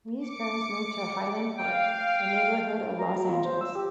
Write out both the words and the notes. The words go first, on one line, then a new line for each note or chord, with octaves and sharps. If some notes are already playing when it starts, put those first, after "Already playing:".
Lee's parents moved to Highland Park, a neighborhood of Los Angeles.
D6 C#7
F5 G5
A#5
F#3
F4
C5
E6
G4